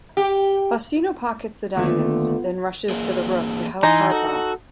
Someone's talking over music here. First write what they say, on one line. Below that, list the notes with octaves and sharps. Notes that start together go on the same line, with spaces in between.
Faustino pockets the diamonds, then rushes to the roof to help Harpo.
G4
D#2 D3 A3 B3 F4
E2 A#3 G#4
E3 D#4 G#5 C6
F#4 A4